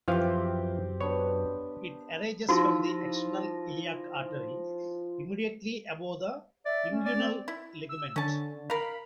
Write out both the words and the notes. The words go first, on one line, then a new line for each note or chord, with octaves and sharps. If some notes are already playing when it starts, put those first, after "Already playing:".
It arises from the external iliac artery, immediately above the inguinal ligament.
F#2 E3 F3 C4 G4 F5
B3 D4 C#5
F3 D#4 E4 F#4 B5 E6 A#6
D5 E5
C#4
D5
C4
E4
E6
D3 C#4 A5
A#4 F5 B5